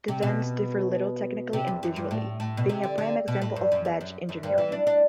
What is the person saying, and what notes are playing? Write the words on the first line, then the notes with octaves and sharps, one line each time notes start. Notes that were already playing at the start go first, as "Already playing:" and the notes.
The vans differ little technically and visually, being a prime example of badge engineering.
C3
B2
C3
E2
F#2
G2
A2
A2
B2
C3
D3
D3
B2
A2
G2
F#2
E2
F#2
F#2
G2
E3
D4
D4